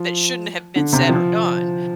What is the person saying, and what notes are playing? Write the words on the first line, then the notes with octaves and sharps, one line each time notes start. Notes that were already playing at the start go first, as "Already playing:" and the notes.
that shouldn't have been said or done,
Already playing: F3
D3
C3
F3